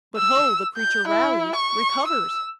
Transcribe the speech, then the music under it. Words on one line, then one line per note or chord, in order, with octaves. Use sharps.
But ho! the creature rallies--recovers!
E6
G6
E4
C#6
E6